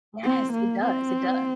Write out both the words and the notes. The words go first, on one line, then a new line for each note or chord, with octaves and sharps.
Yes, it does, it does.
C4
A#3
C4